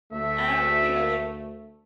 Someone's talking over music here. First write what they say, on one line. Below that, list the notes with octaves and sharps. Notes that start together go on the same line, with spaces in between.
Um, you know, like
D2 A3 E5